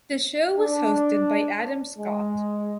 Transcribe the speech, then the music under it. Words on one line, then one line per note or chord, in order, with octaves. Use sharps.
The show was hosted by Adam Scott.
D4
G#3